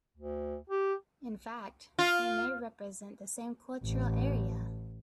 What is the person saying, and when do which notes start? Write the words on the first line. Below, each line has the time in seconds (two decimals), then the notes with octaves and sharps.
In fact, they may represent the same cultural area.
0.17 D2
0.70 G4
1.99 F4
3.84 A1